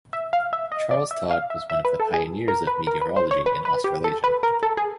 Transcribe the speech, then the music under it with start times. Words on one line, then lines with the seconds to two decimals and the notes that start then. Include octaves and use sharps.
Charles Todd was one of the pioneers of meteorology in Australasia.
0.13 E5
0.33 F5
0.53 E5
0.72 D#5
0.91 D5
1.11 E5
1.31 F5
1.50 E5
1.70 E5
1.85 B4
2.00 A4
2.14 G#4
2.48 A#4
2.67 B4
2.87 A#4
3.01 B4
3.16 C5
3.31 C#5
3.46 B4
3.65 B4
3.84 G4
4.04 A4
4.24 B4
4.43 A#4
4.63 A4
4.77 G#4